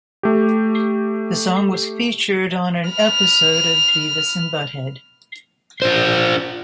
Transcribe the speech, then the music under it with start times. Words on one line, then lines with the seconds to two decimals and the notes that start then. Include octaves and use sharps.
The song was featured on an episode of "Beavis and Butthead".
0.23 A3 G4
2.90 B5 F6
5.82 D4 F4 C5